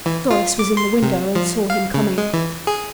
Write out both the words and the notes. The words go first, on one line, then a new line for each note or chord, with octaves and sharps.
Doris was in the window and saw him coming.
E3
F4
D6
C6
C3
F3
F5
C#3
G#3
E3
G#4